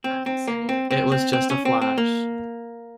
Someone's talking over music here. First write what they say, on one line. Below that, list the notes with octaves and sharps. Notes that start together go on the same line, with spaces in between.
It was just a flash.
C4
C4
A#3
C4
C4
C4
C4
C#4
C4
C4
A#3